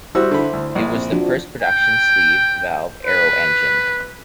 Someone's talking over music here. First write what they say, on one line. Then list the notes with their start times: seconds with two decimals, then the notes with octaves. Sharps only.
It was the first production sleeve valve aero engine.
0.15 G3 E4 F#4 C5 E6
0.31 D3 B5
0.53 D2
0.75 A#1
0.94 C4
1.12 F3 D4 F#4
1.62 G5
3.05 B4